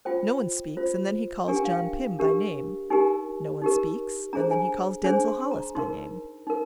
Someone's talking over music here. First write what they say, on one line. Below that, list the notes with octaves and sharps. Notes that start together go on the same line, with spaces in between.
No one speaks, and then he calls John Pym by name. No one speaks, and then he calls Denzil Hollis by name.
F4 C5 G5
F4 C5
D4 G4 A#4 G#5
G5
F5
G5
D4 G4 A#4
D#4 G4 A#4 G#5
D#4 G4 A#4
D4 G#4 C5 A#5
G#5
D4 G#4 C5 G#5
C6
C6
A#5
D#4 A#4 C6
D#4 A#4